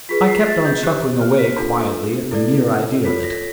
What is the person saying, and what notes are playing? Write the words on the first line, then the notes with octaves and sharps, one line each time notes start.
I kept on chuckling away quietly at the mere idea of it.
F4 G#4 B4 B6
C7
A6
G6
G4 C5 F#6
F6
B6
D4 F4 A4
E4 A4 D5
F4 A4 C#5 B6
A#6